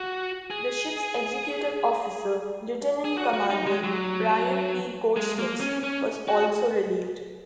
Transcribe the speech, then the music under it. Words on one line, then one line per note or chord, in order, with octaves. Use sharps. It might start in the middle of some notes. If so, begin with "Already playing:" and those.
The ship's executive officer, Lieutenant Commander Brian P. Goldschmidt, was also relieved.
Already playing: F#4
G#4
G#4
F#4
F#4
D#4
G#3
F#3
G#3
A#3
C#4
C#4
F#4